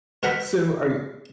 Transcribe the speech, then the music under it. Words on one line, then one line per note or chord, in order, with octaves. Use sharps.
So, are y
B2 A#4 F#5 A#5 B5